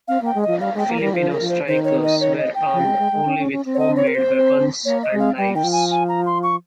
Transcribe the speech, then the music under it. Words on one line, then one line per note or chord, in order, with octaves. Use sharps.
Filipino strikers were armed only with homemade weapons and knives.
C4 F5
A#3 G5
G#3
D#5
F3
G3 F5
G#3 G5
A#3
G3 A#4
F3 C5
A#4
F3
C5
D#3 C5
C#5
D#5
C#5
D#5
G5
F3
G#3
G#3
G#3
C#4
C#4
C#4
C4
C#5
D#5
C#5
A#4
C5
C4
A#3 C#5
D#5
G#3
F5
G3 G5
D#3 G5
F3
G#5
G#5
A#5
C6
C#6